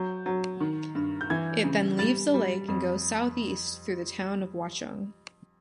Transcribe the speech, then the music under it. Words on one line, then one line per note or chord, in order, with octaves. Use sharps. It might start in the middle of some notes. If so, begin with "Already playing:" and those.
It then leaves the lake and goes southeast through the town of Watchung.
Already playing: F#3 G6
F#3
D#3
G2
G6
E3 G#6
C#3
G3 A6
G3
F2